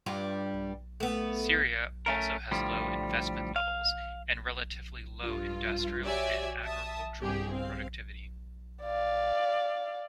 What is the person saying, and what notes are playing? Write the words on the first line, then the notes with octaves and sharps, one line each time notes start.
Syria also has low investment levels, and relatively low industrial and agricultural productivity.
G2 G3 F4
A3 B3
A3 C#4 A#4
A2 D3 F3 G3
F5
G2 F4
F#4 G4 C#5 D5 E5 G#5
E5 A5 D#6
G1 C2 G4 G#4
C4 F5
D5 F5